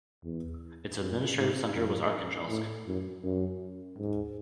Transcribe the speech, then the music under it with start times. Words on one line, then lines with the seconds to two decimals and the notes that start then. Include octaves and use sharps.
Its administrative centre was Arkhangelsk.
0.24 E2
1.00 F#2
1.37 G#2
1.74 F#2
2.49 A2
2.87 F#2
3.24 F#2
3.98 G#2